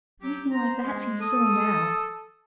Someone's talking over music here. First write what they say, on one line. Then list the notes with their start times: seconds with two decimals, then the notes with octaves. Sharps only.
Anything like that seems silly NOW.
0.22 F#3 G4
0.51 C5 A#5
0.84 G#3
1.20 A4 D#6